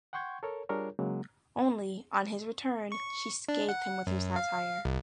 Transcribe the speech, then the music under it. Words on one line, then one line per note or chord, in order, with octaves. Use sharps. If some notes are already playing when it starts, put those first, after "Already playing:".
Only, on his return, she scathed him with her satire.
F#5 G5 C6 C#6 G6 G#6
A4 A#4 C#5
G3 D4 F4 G#4 A#4 C#5
C#3 F#3 G#3 A#3
C#6
D4
F#5
F#2
F5
C2